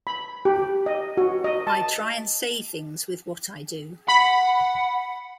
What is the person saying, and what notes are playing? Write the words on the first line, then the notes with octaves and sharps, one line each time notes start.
I try and say things with what I do.
B5
G4
D#5
F#4
D#5
A5
F#5 B5